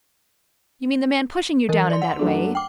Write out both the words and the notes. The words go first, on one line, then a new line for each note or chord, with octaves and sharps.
"You mean the man pushing you down in that way?"
E3 A#4
D5 C6
F#5
F#2 A3 D4
G5 D6